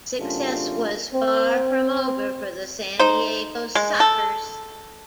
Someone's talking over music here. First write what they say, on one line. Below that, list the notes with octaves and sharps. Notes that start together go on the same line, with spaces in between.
Success was far from over for the San Diego Sockers.
F#2 C3 A3 C#4 D4 F4
C4
D#4 C5
G#3
A4